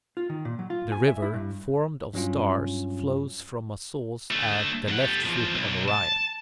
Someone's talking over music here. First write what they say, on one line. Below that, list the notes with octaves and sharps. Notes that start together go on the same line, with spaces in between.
The River, formed of stars, flows from a source at the left foot of Orion.
F4
D#3
A#2
F#3
F4
G#5
E5
E4
G2
G2 F#3 C#4 F4
A3 D4
F2 F#5
G4 A4
E2 F3
B1
A5